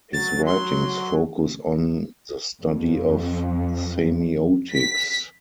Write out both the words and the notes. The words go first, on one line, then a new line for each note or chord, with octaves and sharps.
His writings focus on the study of Semiotics.
F#3 A6
C6
F2
B6